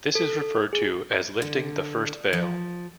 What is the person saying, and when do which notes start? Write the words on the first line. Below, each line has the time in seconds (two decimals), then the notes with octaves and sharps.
This is referred to as lifting the first veil.
0.15 A4
0.73 G#4
1.42 D3
2.33 F3